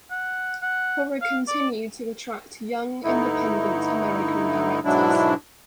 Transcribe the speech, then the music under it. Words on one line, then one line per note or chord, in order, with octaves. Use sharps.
Horror continued to attract young, independent American directors.
F#5
F#5
F5
D5
G2 D3 A3 D#4 E4
G#2 B2 F#3 G#3 D4 E4